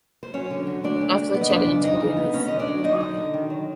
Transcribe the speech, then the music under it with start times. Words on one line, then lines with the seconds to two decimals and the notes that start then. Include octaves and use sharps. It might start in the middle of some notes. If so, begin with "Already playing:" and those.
Lasalle challenged Helene's father.
0.23 C5
0.34 F#3 C#4 C#5
0.51 D3
0.67 F#3
0.84 A3 D4 D5
1.01 D2
1.17 A3
1.34 B3 D5
1.41 D#5
1.49 F2 D4 D5
1.67 C#3
1.84 F2 D#4 D#5
2.00 C#3
2.17 B3
2.34 D2 C#4 C#5
2.48 D3 D#5
2.59 D4 D5
2.68 F#3
2.84 F#3 D#4 D#5
3.01 D3
3.17 D3
3.34 D#3
3.50 F#3